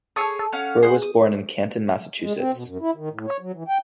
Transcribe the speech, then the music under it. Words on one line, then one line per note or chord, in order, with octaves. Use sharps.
Burr was born in Canton, Massachusetts.
G#4 A4 C#5 D#6
A4
C#4 F5 F#5
G#4 C5 F#5
D#6
G#3
C4
B2
F#2
E4
D#3
A2
C#5
F#3
E3
G5